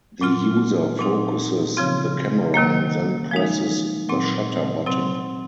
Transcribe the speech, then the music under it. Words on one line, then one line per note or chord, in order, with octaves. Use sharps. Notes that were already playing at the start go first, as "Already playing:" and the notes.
The user focuses the camera and then presses the shutter button.
A#2 F#3 C4 F4
A#2 F#3 C4 D#4
C#3 F3 C4 F4
C3 D#3 F#3 A#3
F3 G#3 D#4
A#2 F#3 C4
C3 F#3 C4